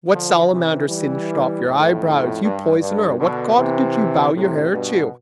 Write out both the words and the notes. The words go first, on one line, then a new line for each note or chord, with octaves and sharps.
What salamander singed off your eyebrows? You poisoner, what god did you vow your hair to?
D3 F3
C3 E3
E3 G3
F2 A2
G2
G2
B2 D3
C3 E3
A2 C3
G2 B2